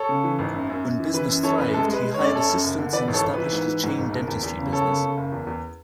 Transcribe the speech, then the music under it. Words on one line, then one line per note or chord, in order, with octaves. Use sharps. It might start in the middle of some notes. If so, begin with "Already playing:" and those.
When business thrived, he hired assistants and established a chain dentistry business.
Already playing: A4 C#5
C#3
E3
G#1
F#2
F#2
F#2
E3
E3 B4
F#2
E3 A4 C#5
F#2 B4
G#3 A4
G#3
B4
G#3
F#2 C#5
D5
F#2 A4 C#5
F#2
F#1
D3
E3 B4 D5
G#1
A4 C#5
G#1
E3 B4
G#2
E3
G#2
G#1
F#1
E2
E2
C#3
F#1 A4 C#5
C#3
C#3
F#1
E2
E2